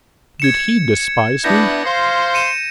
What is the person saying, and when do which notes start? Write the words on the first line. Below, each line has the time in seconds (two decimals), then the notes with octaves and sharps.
Did he despise me?
0.40 G#6 C#7 E7
1.44 B3 D4 E4 G6 A#6 C#7
1.85 C5 F5 C6
2.34 C#7 D#7 E7